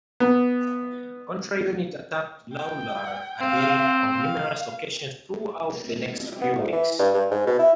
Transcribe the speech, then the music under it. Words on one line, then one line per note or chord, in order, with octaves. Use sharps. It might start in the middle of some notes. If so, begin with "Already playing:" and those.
Contra Unit attacked Lawlor again on numerous occasions throughout the next few weeks.
B3
G5
C4 F5
F5
B3
D2
E3
G2
G2
G#2
B2
E4